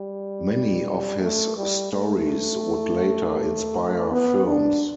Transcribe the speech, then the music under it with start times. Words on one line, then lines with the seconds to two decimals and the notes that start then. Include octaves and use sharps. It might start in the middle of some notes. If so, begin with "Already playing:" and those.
Many of his stories would later inspire films.
Already playing: G3
1.20 A3
1.57 G3
1.93 A3
4.12 B3
4.47 D4